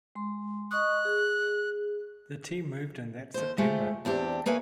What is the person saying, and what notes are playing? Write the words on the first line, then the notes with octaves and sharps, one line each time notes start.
The team moved in that September.
G#3 C6
D#5 C#6 D#6 F#6
G#4
D#2 C5
G#3 A3 F4 G4 C5
E2 C4 D4 G4
A3 A#3 D#4 B4 C#5 G#5